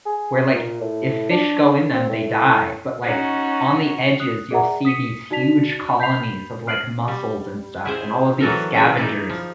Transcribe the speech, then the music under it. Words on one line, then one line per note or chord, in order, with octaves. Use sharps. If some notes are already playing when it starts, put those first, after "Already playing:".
where, like, if fish go in them, they die, but, like, on the edges, you'll see these huge colonies of, like, mussels and stuff, and all of these scavengers
G#4
A#2
A2
D4
C4
A2
C#4 D#4 F#4
D#6 F#6
G#4 D5 E5 F#5 A#5
D#6 B6 C#7 D#7
D#4 F#4 D5 A5 B6 F7
B5 G6 B6 C7 F7
F6 F#6 C7 D7 F#7
G3
E4 G#4 C5
E3 F#3 A4 A#4
C#4 E4 G#4
D#4 E4 D5
F3